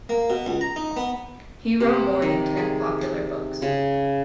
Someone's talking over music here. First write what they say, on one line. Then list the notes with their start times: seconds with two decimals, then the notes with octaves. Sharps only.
He wrote more than ten popular books.
0.09 A#3
0.30 B2
0.46 C#2
0.61 A#5
0.76 D#4
0.97 B3
1.80 C3
2.22 D#3
2.57 G#4
3.62 C#3